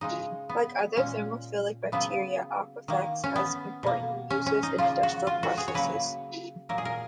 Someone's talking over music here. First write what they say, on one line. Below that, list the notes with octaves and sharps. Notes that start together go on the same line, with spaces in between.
Like other thermophilic bacteria, "Aquifex" has important uses in industrial processes.
C#3 G#3 D#4
B3
A#2 G#3 C#4
C#3 F#3 A#3 B3
D#3 A#3
C#4
B3
B2 A#3
C#4
C#4
D#4
C#3 F3 A#3 F4
F#4
F4
F#4
G#4
C#5
C#3 F#3 A#3 B4
A#2 F#3 A#3 A#4
G#4
A#4